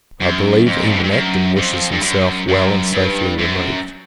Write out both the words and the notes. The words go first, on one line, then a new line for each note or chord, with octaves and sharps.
I believe, even Acton wishes himself well, and safely removed.
F#2
F2
A#2
A2
G#2
G2
F#2
F2
G2
F#2
F#2
G2
F#2